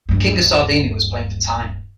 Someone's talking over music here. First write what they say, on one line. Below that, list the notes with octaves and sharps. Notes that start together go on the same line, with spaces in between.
The King of Sardinia was playing for time.
D1 G2